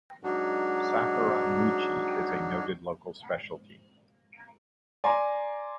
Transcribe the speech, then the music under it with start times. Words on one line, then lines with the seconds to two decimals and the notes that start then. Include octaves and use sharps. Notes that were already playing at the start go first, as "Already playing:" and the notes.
"Sakuramochi" is a noted local specialty.
0.24 G#2 F#3 D4 D#4 F#4
5.04 D5 G#5 A#5 C6